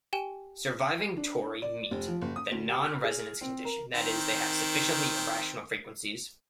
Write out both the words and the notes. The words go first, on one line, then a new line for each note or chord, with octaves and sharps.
Surviving tori meet the non-resonance condition, that is, they have "sufficiently irrational" frequencies.
G4 G5 G#5 E7 G7
D4
D5
F1
F3
F#1
D#6
D2
G4
F6
G#4
C4
A#4
D#3 C4